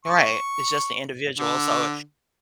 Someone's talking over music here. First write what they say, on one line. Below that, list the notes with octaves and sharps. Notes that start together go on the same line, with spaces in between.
Right. It's just the individual. So
C#6
D3